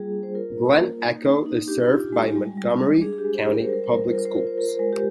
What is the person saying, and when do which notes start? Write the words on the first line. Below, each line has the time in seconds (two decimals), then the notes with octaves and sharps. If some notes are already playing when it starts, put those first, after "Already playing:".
Glen Echo is served by Montgomery County Public Schools.
Already playing: G3 A#3 F4 G#4
0.12 D4
0.23 C5
0.35 F4 A#4
0.57 A#3
0.79 A#3
1.01 D#4
1.24 D#4
1.46 D#4
1.68 D4 G4
1.90 F4
2.12 G#3
2.35 G3
2.57 G3
2.79 G3
3.02 D4 G#4
3.13 G#4
3.18 G4
3.24 G#3
3.35 C5
3.46 D4
3.52 A#4
3.62 C5
3.68 G3 A#4
3.83 C5
3.91 G3 A#4
4.05 C5
4.12 F4 A#4
4.25 C5
4.36 F4 A#4
4.47 C5
4.58 F4 A#4
4.68 C5
4.79 G#3 A#4
4.93 G4